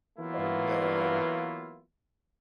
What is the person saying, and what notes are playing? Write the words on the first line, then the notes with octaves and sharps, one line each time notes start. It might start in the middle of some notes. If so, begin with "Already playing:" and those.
Oh, no.
E3 F#3 A#3 B3 E4 F4